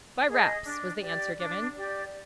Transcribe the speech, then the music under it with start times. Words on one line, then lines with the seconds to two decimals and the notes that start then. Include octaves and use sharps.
"By raps," was the answer given.
0.28 G#4 D#5
0.64 D4
1.01 G4 D5
1.38 D4
1.75 G4 D5